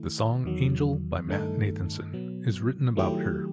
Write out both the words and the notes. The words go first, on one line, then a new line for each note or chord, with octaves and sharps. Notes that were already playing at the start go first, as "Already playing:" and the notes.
The song "Angel" by Matt Nathanson is written about her.
Already playing: D#3 A3 E4
E2 D#3 F#3
G2 D#3 A3 D#4 A4
B2 F#3 B3
D#3 F#3 A3 E4 G4